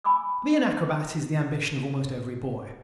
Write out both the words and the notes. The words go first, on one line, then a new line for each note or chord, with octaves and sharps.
To be an acrobat is the ambition of almost every boy.
G#5 B5 C#6 D6 E6